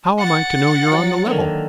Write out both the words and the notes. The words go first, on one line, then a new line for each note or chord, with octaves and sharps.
"How am I to know you're on the level?"
F#5 A6
F#3
D3 D#3 A#3